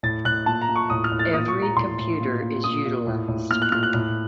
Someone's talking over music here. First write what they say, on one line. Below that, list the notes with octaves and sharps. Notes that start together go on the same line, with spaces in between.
Every computer is utilized.
A2 A6
A2 F#6
A#2 A5
A#5
A#2
C#6
A2 D#6
F6
A2
A6
A#2 D#6
C#6
A#2
A#5
A2 C6
A2
A#2
A#2
A#2 D#6
A#2
A2
A2
A#2 F6
F#6
A#2 F6
F#6
A2